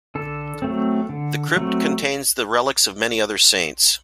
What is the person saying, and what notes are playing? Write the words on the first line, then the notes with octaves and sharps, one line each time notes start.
The crypt contains the relics of many other saints.
D3 A4
F#3 A3 C4
D3
F#3 A3 C4